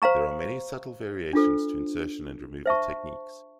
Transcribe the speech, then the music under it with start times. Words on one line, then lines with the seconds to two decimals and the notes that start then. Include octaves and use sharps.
There are many subtle variations to insertion and removal techniques.
0.02 C5 F5 A#5 C#6
1.33 D4 F4 A4 C5
2.66 C5 E5 A5 C#6